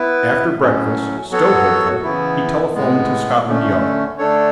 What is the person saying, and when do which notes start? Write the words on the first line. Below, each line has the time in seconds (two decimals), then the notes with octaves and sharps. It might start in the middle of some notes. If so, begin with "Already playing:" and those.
After breakfast, still hopeful, he telephoned to Scotland Yard.
Already playing: B3 E4 B4
0.59 A2 F#3 C#4
1.31 F#3 B3 F#4 A4 C#5
2.03 C#3 E3 B3 E4
2.75 A2 G#3 B3
3.46 D3 A3 C#4
4.18 D3 A3 D4 A4 C#5